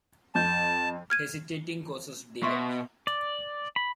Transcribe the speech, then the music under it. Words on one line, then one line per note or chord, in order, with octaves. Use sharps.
Hesitating causes delay.
F2 A5 G6
F6 G#6 D#7
B2 E5 C6 C#6
D5
B5